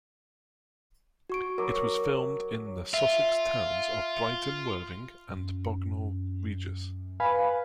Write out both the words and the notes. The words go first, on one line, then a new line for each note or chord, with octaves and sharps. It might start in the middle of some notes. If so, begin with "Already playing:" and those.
It was filmed in the Sussex towns of Brighton, Worthing and Bognor Regis.
F#4 C#6 D7
F#3 A#4 D6
F4 E5
F#2
B4 F5 G#5 B5